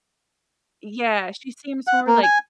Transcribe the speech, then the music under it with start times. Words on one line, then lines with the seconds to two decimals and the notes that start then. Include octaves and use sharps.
Yeah, she seems more, like,
1.87 F#5
2.07 A#3
2.23 G#5